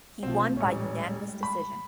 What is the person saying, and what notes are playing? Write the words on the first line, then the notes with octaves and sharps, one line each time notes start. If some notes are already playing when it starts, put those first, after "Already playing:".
He won by unanimous decision.
B1 F3 A3 C4
D#1 A2 G3 G#3 C#4
B5